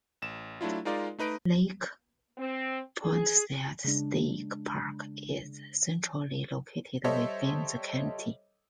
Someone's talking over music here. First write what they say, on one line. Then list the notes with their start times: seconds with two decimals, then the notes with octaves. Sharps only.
Lake Poinsett State Park is centrally located within the county.
0.22 A1 E7
0.61 F#3 A3 D4 E4 F4
0.85 G#3 D#4 F4 A#4 D5 F5
1.19 A3 D#4 B4 D#5 D7
2.38 C4
3.02 G#4
3.84 C#3 G#3 D4
7.04 G3 A4 C5 C#5 D#5 E5